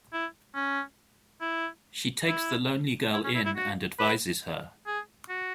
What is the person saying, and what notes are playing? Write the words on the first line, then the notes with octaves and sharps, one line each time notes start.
She takes the lonely girl in and advises her.
E4
C#4
E4
E4
E4
C#4
E4
E4
F#4
B4
G#4
F#4